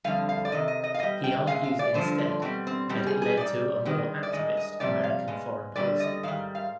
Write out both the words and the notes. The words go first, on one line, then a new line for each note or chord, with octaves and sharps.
He argues instead that it led to a more activist American foreign policy.
F2 D3 G3 F5
F5
D5
C3 D#3 D#5
D#5
D#5
F5
B2 G3 D#5
G5
C3 D#3 G#3 F5
F5
D5
G2 D3 F3 C5
D4
B2 G3 C4
C4
B2 G3 C4
G#4
G#4
G#2 G3 D5
G2 D#3 G#3
D5
G2 D#3 G#3 D#5
D#5
F2 C3 G3 D5
F5
B2 G#3
G2 D3 G3 D5
D#5
G#2 D#3 G3 F5
F5